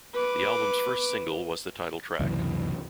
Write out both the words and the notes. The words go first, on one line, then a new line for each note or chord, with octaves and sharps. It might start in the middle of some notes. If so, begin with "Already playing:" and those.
The album's first single was the title track.
B4 D6
C#2 F#2 C3 E3